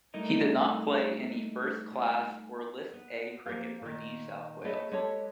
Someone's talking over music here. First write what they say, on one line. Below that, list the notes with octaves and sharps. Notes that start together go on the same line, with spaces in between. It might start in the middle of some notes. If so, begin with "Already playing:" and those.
He did not play any first-class or List A cricket for New South Wales.
G3 A3 D#4 E4 A#4 D#5
B3
F3 A#3 C4 G4 F5
A#2 D#3
A3 G#4 B4 C#5 D#5
G#3 G4 A4 B4 C#5 A5